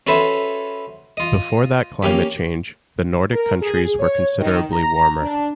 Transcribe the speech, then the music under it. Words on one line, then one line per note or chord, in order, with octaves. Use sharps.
Before that climate change, the Nordic countries were considerably warmer.
C#4 F#4 A4 B4 C5 E5
F4 D#5
A#3 C#4 G4
A#4
G#4
C#5
D#3
A#5
D4